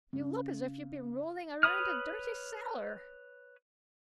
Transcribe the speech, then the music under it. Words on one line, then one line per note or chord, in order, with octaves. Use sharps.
"You look as if you'd been rolling around a dirty cellar."
C#3
B4 C#5 B5 D#6 F6